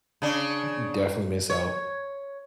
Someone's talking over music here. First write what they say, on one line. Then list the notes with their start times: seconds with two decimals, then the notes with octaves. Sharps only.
Y you definitely miss out.
0.22 C#3 D4
1.50 C#5